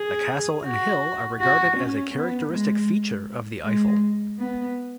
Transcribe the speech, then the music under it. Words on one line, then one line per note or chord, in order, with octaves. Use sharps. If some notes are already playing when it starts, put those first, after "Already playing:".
The castle and hill are regarded as a characteristic feature of the Eifel.
Already playing: G#4
F#4
F#4
C#4
B3
G#3
G#3
B3